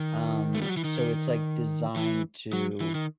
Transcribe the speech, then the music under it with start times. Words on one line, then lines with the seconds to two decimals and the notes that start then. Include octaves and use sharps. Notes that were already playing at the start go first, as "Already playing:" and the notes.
um, so it's, like, designed to,
Already playing: D#3
0.55 A3
0.62 G3
0.69 F#3
0.77 E3
0.84 D#3
1.96 E3
2.53 F#3
2.81 E3
2.95 D#3